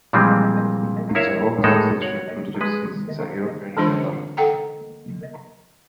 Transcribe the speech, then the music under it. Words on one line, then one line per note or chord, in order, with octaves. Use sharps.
The organisation produces the European Journal.
A#2 E3 F3 G3 G#3 C4
E4 A#4 C#5 E5 F5
A2 G#3 D#4 A4 A#4
F#4 C#5
G#3 B4
D3 E3 G#3 D4 F4 C5
A4 F#5 G5 A#5